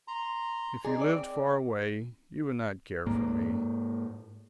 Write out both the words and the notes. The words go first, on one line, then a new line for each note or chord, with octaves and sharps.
If you lived far away you would not care for me.
A#5 C6
D#4 G#4 D5
C4 D5
G#2 A#3